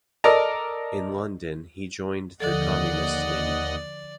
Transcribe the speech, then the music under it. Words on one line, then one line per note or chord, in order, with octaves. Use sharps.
In London, he joined the Communist League.
A4 A#4 D5 D#5 A#5
D#2 D3 F3 A4 D5 D#5 F#5